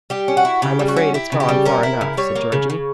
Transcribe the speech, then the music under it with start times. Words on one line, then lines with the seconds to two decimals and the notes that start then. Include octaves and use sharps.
"I'm afraid it's gone far enough," said Georgie.
0.10 G3 G4
0.28 C#4
0.37 F#4
0.45 E4
0.62 C#3 G4
0.79 G3
0.88 F#4
0.96 C#4
1.14 E4 G4
1.32 C#3
1.40 G4
1.49 G3
1.65 C#4 A#4
1.83 E4
2.01 C#3
2.17 G3 C#5
2.35 A#3
2.52 C#3
2.70 C#3